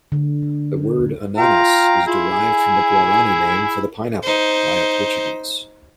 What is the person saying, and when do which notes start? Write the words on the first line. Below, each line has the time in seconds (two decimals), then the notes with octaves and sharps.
The word "Ananas" is derived from the Guarani name for the pineapple, via Portuguese.
0.12 D3
1.37 F4 F5 G5 A#5
2.06 E4 F4 G#4
2.31 G#5
4.23 D#4 C5